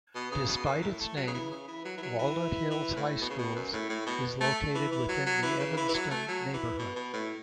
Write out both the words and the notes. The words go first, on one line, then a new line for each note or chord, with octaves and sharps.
Despite its name, Walnut Hills High Schools is located within the Evanston neighborhood.
B2
C#3
B2
F#2
A2
A3
F#3
C#3
E3
C#3
E3
F#3
E3
F#3
E3
E3
A2
B2
C#3
B2
F#2
A2
A2
B2
A3
E3
E3
F#3
F#3
E3
C#3
E3
E3
F#3
A3
F#3
E3
B2
B2
A2